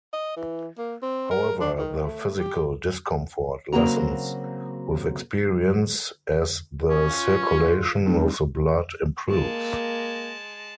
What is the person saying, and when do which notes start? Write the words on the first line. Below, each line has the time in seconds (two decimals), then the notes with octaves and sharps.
However, the physical discomfort lessens with experience as the circulation of the blood improves.
0.13 D#5
0.37 E3
0.78 A#3
1.02 C4
1.31 A#4
1.61 D4
1.78 D#3
2.04 A3
2.40 G4
3.73 C#3 F#3 A#3 C4 F#4 A#5
6.89 C#4
7.10 F4
8.05 F1 G2
9.29 G#3 A#3 A5